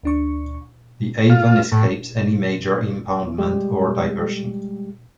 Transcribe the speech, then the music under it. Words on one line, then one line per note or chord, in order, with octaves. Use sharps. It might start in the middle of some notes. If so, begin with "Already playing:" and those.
The Avon escapes any major impoundment or diversion.
D2 D4 C#6
F4
A2
G3 G#3 G4